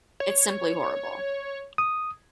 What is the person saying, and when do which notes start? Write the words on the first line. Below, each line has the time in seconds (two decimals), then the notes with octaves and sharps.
It’s simply horrible.
0.20 C#5
1.78 D#6